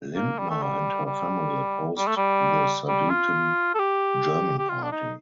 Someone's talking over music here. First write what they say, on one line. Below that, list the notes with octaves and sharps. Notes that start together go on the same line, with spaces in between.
Lindner and her family opposed the Sudeten German Party.
A#3
G3
A3
G3
G3
G3
A3
G3
G3
F4
A4
G4
G4
F4
D4
D#4